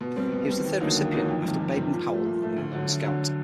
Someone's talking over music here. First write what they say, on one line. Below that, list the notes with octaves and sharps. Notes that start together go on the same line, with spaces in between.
He was the third recipient, after Baden-Powell and the Unknown Scout.
B2
G3 C4
B2
G3 C4
D#2
D3 F#3 A#3 D#4
D#2
D3 F#3 A#3 D#4
F2
C3 D#3 G3
F2
C3 D#3 G3
A#2
F3 A3
A#2
F3 A3
D2
D3 F#3
D2
D3 F#3